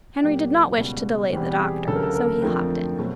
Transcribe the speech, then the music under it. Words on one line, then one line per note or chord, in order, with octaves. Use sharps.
Henry did not wish to delay the doctor, so he "hopped in."
A#2 F#3 A#3 G4
C#2 B2 G3
E2 B2 G3 C4 G4
G4
G#4
D2 C#3 F#3 A4
A#4
A4
A#4
F2 D3 F3 A3 C4
B2 F#3 A3